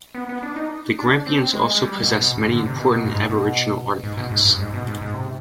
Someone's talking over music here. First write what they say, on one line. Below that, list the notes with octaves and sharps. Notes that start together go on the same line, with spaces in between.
The Grampians also possess many important Aboriginal artifacts.
B3
B3
D4
D#4
D4
C4
G#3
G#3
G3
B2
B2
G#2
D3
C3
B2
B2
G2
G#2
B2
G#2
B2
G#2
G2
G#2
B2
G#2
G#2
C3